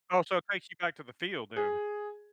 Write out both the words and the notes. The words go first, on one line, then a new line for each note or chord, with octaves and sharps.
Oh, so it takes you back to the field then.
G#4